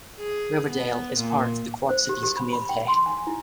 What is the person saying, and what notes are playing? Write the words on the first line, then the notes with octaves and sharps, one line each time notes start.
Riverdale is part of the Quad-Cities community.
G#4
B3
A#2
C5
G4
G4
B5
B5
G5
C6
G#5
E4